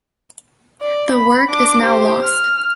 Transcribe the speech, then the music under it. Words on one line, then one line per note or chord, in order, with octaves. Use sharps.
The work is now lost.
D5
B5
D4 D6
G4 C5
F6